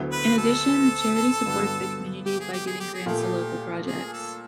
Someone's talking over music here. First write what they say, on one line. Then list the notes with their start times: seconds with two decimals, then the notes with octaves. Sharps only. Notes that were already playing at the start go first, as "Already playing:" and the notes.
In addition, the charity supports the community by giving grants to local projects.
Already playing: D2 D3 F#3 B3 E4
0.12 B4
0.38 A4
1.46 G2 D3 F#3 B3
2.26 G4
2.40 G#4
2.53 G4
2.67 G#4
2.80 G4
2.94 G#4
3.06 A#2 F3 A3 G4
3.86 G#4
4.13 A4